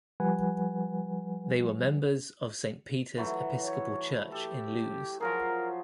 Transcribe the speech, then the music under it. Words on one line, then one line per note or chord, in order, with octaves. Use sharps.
They were members of Saint Peter's Episcopal Church in Lewes.
F3 G3 B4 F#5 G#5
E3 F#3 A3
C#5
G4 A4
F3 F#3 G#4 A#4